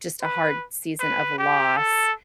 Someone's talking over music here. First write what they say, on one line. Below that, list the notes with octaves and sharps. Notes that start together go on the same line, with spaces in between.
just a hard season of loss,
B4
B4
G4
A4